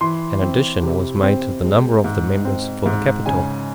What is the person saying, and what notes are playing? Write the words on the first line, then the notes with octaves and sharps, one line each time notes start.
An addition was made to the number of the members for the capital.
E3 C6
C4
C3
C4
G#3
G#2
C4
G#2
C#3 G#5